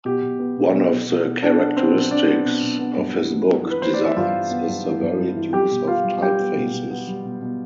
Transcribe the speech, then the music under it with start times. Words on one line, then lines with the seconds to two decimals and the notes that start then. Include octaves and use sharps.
One of the characteristics of his book designs is the varied use of typefaces.
0.05 B2 G4
0.22 B2
0.39 B3
0.57 B2
0.73 B2
0.92 B2
1.09 B2
1.26 B2
1.42 B3 D4 D5
1.60 B3
1.76 B3 C4 C5
1.93 B2
2.11 B3 D4 D5
2.28 B3
2.45 B2
2.62 B2
2.79 B3
2.97 G2
3.14 E3
3.31 E3
3.49 B3
3.65 E3
3.70 B4
3.82 E3 C5
3.94 D5
4.00 E3
4.05 E5
4.16 G2 F4 F5
4.33 G2
4.51 B3
4.68 G2
4.85 E3
5.02 G2
5.19 G2
5.36 E3
5.53 G3 G4 G5
5.71 B2
5.87 B3 F4 F5
6.04 G3
6.22 G3 G4 G5
6.39 B3
6.57 B2
6.73 B2
6.90 B3
7.08 G3
7.25 B2
7.42 B2